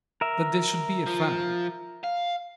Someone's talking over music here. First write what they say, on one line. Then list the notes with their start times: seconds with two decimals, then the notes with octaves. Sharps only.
"That there should be a famine!"
0.21 A#4 E5
1.06 F3
2.04 F5